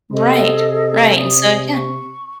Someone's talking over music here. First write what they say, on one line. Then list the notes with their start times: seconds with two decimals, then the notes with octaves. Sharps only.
Right, right, and so, yeah.
0.12 C3 G#4 A4 D#5
1.17 D5 D#6
1.72 C#6